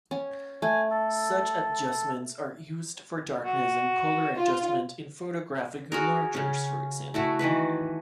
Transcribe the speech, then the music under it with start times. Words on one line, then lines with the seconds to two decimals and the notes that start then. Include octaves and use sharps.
Such adjustments are used for darkness and color adjustment in photographic enlargers, for example.
0.11 C#4
0.62 A3 G#5
0.91 A4
3.45 F#4
4.36 F4
5.92 F#4 G#4 A#4
6.34 C#3 C#4
7.14 A3 E4 F#4
7.39 D#3 E3 F#4 B4